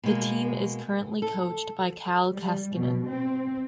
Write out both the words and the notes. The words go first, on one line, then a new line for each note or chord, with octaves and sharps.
The team is currently coached by Kalle Kaskinen.
B2 G#3 A#3
A4
G3
B2
C4